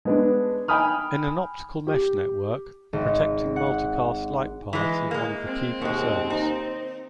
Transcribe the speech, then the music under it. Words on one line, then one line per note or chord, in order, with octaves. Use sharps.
In an optical mesh network, protecting multicast lightpaths is one of the key concerns.
G#3 B3 D4
G5 G#5 B5 D#6 F6
G4
G#1
F#5
E3 G#3
G#3 A#3
C4
D#2 B2 G#3
D#4